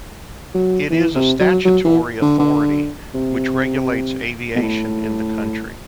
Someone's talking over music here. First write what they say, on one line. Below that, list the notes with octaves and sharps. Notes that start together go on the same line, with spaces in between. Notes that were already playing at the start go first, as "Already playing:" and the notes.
It is a statutory authority which regulates aviation in the country.
F#3
E3
C3
F#3
F#3
E3
D3
D3
C3
B2
A2